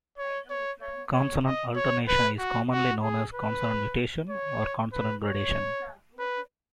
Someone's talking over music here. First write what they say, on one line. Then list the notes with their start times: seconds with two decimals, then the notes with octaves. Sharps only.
Consonant alternation is commonly known as consonant mutation or consonant gradation.
0.18 C#5
0.50 C#5
0.82 C#5
1.13 C#5
1.45 D#5
1.76 C#5
2.08 B4
2.39 F#4
2.71 F#4
3.03 G#4
3.34 B4
4.30 C#5
4.93 B4
5.24 C#5
6.19 B4